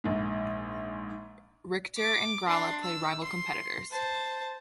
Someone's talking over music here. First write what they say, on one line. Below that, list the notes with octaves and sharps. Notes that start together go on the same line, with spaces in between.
Richter and Gralla play rival competitors.
A#1 G#2
D6
D4 C6
E6
C6
C5 A5